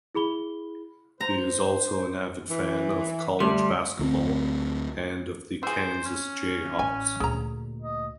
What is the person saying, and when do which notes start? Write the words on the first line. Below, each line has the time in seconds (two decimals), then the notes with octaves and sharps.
He is also an avid fan of college basketball and of the Kansas Jayhawks.
0.15 E4 G#4 B5 G7
1.21 C5 A#5
2.50 E3
3.40 D2 G3 C6
3.99 D2 A3 C4
5.63 E3 G#4 C5
6.05 C#4
6.79 A1 G#5
7.20 D2 A#2 G#4 A#5
7.82 D#5